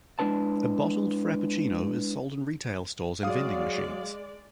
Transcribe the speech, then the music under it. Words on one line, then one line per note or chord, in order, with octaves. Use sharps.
A bottled "Frappuccino" is sold in retail stores and vending machines.
G#3 D4 E4 B4 A5
F#3 G#3 D5 F5 D#6